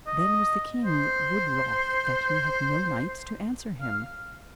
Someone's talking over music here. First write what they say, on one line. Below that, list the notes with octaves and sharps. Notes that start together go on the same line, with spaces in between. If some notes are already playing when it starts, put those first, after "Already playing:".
Then was the king wood wroth that he had no knights to answer him.
D#5
C5
F5